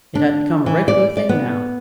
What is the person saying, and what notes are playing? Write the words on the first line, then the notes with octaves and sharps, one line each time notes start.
It had become a regular thing now.
D4
E3
D5
D5
B3